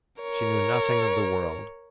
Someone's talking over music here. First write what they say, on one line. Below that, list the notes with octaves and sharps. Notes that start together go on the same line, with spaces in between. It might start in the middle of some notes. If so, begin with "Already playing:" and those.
She knew nothing of the world.
A#4 C#5